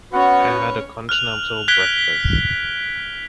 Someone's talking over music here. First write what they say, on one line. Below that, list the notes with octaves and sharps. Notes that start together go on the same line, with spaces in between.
I had a continental breakfast.
B3 C#4 F#4 B4 C#5 F#5
F6 F#6 F7 F#7
F#6 G#6 B6 D7 G7